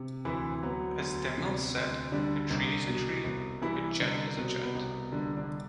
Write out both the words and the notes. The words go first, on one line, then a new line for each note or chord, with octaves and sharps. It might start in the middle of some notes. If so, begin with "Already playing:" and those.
As De Mille said, a tree is a tree, a jet is a jet.
Already playing: C3
D2 E3 E4
F#3 B3
D2
C3
D2
D3 G3 D4
C2
B2
C2
E3 G3 E4
C2 D3 D4
B2 C4
B3
C2
D3 G3 D4
D3 D4